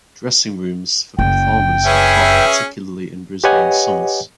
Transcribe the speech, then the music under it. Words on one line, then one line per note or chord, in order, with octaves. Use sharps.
Dressing rooms for performers were hot particularly in Brisbane summers.
F#1 G5
C#4 G#4 B4 E5
G4 B4 C#5 D#5 F#5 G#5